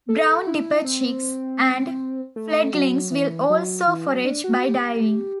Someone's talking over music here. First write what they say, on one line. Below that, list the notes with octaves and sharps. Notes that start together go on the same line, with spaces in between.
Brown dipper chicks and fledglings will also forage by diving.
A4
E4
C4
A3
F#3
E3
F#3
E3
F#3
D4
F#4
G4